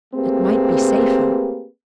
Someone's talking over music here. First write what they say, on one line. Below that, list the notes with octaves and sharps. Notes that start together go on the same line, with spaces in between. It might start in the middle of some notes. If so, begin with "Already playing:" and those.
It might be safer.
A3 A#3 C4 G4 G#4 B4